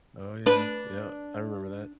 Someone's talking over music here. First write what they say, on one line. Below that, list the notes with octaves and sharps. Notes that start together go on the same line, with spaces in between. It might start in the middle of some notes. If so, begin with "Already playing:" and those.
Oh, yeah, yep, I remember that.
D4 B4